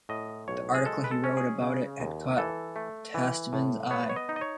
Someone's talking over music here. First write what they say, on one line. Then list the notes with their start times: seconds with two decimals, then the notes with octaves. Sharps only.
The article he wrote about it had caught Tastevin's eye.
0.09 A2 D#5
0.48 B1 C#5
0.74 G#4
0.86 G#3 A4
1.04 B4
1.11 A4
1.24 C#4
1.37 G#4
1.62 C#3
2.00 D#2
2.38 E3 A4
2.76 A3
3.14 E3
3.53 A2
3.91 B3 C#5
4.09 C#5
4.16 D#5
4.29 D#4
4.36 D#5
4.41 C#5